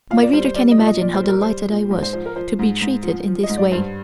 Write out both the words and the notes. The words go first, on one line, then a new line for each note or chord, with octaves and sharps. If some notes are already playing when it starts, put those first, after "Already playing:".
My reader can imagine how delighted I was to be treated in this way.
A#2 F5
D5
G3 C5
C5
G3 D5
D#5
A#2
D#5
A#2 D5
C5
G3 A#4
G3 C5
A#2
G#2
C5
F3 C5
A#4
F3 C5
G#2
G#2
F3
F3
D#5
G#2
D5
G2 C5